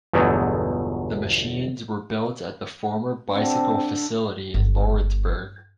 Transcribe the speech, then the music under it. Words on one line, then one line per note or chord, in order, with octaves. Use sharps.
The machines were built at the former bicycle facility in Lawrenceburg.
G1 E2 B2 F#3 G#3 A3
D3 C4
G1